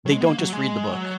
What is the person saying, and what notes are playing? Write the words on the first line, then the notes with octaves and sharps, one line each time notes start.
they don't just read the book.
F#3
G#3
B3
A#3
F#3
G#3
F#3